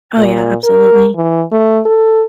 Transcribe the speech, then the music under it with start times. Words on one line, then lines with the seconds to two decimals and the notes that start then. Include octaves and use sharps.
Oh, yeah, absolutely.
0.18 A#2
0.64 A#4
1.16 E3
1.52 A3
1.86 A4